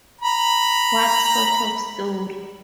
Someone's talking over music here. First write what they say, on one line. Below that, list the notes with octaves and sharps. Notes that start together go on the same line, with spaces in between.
What sort of story?
A#5 B5